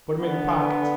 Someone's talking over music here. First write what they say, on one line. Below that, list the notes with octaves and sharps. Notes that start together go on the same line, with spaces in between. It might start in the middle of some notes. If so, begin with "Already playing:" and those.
"Put 'em in yo' pockets."
D3 B3